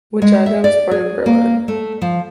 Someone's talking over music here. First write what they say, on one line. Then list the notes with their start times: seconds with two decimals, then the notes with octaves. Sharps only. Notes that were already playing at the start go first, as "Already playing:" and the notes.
Widjaja was born in Berlin.
0.22 G#3
0.46 E5
0.64 D5
0.91 G#4
1.26 A#3
1.68 A3
2.02 F3